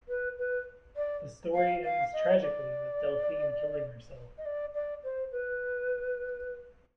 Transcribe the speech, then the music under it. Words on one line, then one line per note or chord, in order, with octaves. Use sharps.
The story ends tragically with Delphine killing herself.
B4
B4
D5
F5
F5
D#5
D5
D#5
D5
D5
C5
B4